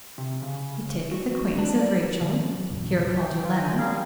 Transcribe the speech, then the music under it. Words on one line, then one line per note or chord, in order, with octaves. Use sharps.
He taketh acquaintance of Rachel, here called Yoletta.
C3
C#3
F#4
D4
D5
D#3
C#4
F#3
F#1 D#2 A#2 C#3
A#2 D#3 E3 A3
F1 A#1 C3 F#3
G5
F4
G5 G#5
G3 G#4 A#4 F5
F5